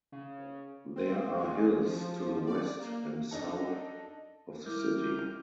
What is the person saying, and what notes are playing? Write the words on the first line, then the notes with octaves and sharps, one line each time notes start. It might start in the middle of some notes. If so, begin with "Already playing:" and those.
There are hills to the west and south of the city.
C#3
C4
G#3
F3
F3
D5
A#3
D4 D#4 A4
G3 E4 A#4 D6 F6 G6